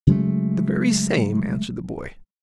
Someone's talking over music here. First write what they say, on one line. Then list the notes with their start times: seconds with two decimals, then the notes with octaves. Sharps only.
"The very same," answered the boy.
0.07 C#3 F#3 G#3 A3